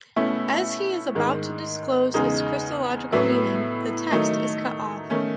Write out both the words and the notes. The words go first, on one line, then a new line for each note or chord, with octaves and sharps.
As he is about to disclose its Christological meaning, the text is cut off.
B2 A3 C#4 E4
G#2 D#3 G#3
E2 C#3 G#3 D#4
A2 F#3 B3 E4
D#3 F#3 A3 D#4
D#3 A3 C#4